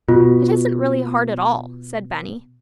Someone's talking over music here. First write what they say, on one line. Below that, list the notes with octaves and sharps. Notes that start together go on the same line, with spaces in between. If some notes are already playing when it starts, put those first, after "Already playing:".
"It isn't really hard at all," said Benny.
B2 F4 F#4